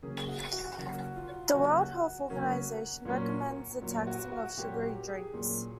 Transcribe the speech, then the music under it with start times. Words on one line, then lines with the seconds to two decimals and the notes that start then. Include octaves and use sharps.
The World Health Organization recommends the taxing of sugary drinks.
0.02 C#3 F#3 A#3 C#4 G#4
0.28 F#4
0.53 F#4
0.78 C#3 F#3 A#3 C#4 F#4
1.16 F4
1.54 C#3 F#3 A#3 C#4 F#4
2.30 C#3 F#3 A#3 C#4
3.05 A#2 F#3 A#3 C#4
3.82 A#2 F#3 A#3 C#4
4.07 F#4
4.32 F#4
4.57 A#2 F#3 A#3 C#4 G4
4.83 G4
5.08 G#4
5.34 A#2 F#3 A#3 C#4